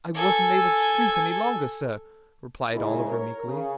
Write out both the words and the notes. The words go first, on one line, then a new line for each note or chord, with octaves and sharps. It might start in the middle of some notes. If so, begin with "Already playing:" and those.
'I wasn't able to sleep any longer, sir,' replied Oliver, meekly.
A4 G#5
G#2 C#3 E4
A#4 C#5
C#3